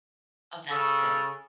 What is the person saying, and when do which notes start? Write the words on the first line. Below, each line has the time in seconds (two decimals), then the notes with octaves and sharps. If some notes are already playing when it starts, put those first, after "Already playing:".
Oh, that's good.
0.71 C#3 A4